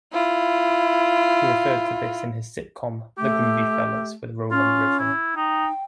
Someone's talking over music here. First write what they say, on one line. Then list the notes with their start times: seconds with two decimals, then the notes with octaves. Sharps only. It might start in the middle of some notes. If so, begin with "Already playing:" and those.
He referred to this in his sitcom "The Groovy Fellers" with Rowland Rivron.
0.13 E4 F4
3.18 A3 G4
4.51 C#4 F4
4.99 E4
5.36 D#4 G5